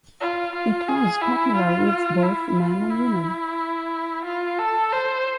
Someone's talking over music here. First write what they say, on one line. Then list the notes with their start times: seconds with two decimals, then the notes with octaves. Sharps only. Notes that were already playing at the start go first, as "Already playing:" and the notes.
It was popular with both men and women.
0.21 F4
0.55 F4
0.88 G#4
1.22 E4
1.55 F4
2.22 E4
2.57 F4
2.90 E4
4.24 F4
4.58 A4
4.92 C5